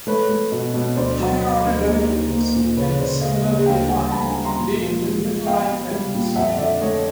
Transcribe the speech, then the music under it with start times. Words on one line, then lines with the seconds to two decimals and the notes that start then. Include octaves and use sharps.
Higher order derivatives can be similarly defined, leading to Newtonlike methods.
0.07 A3 B4 C#5
0.29 A3
0.52 B2
0.74 B2
0.97 D2 C5 D5
1.20 F#3
1.42 B3
1.65 D2
1.87 A#3
2.09 D#4
2.32 A#3
2.55 A#2
2.77 C#3 B4 C#5
2.99 C#3 C5 D5
3.21 C#3 D#5 F5
3.44 A#3
3.66 D2 F5 G5
3.89 G3 F#5 G#5
4.11 D2 A5 B5
4.23 G#5 A#5
4.34 G3
4.45 A#5 C6
4.56 A#2
4.80 F3
5.02 G#3
5.24 F3
5.46 B3 F5 G5
5.69 B3
5.91 G3
6.14 A#2
6.36 F2 E5 F#5
6.58 D3 D5 E5
6.80 A3 C#5 D#5